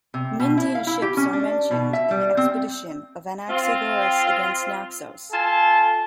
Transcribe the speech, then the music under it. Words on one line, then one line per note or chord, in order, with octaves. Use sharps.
Myndian ships are mentioned in the expedition of Anaxagoras against Naxos.
C3
B2
E4
F5
E4
G4
C#4
D4
B2
E5
G3
C4
C4 F4
F4 A4 G#5 A5